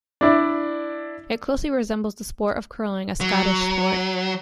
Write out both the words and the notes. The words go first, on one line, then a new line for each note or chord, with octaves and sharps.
It closely resembles the sport of Curling, a Scottish sport.
D4 E4 D5
F#3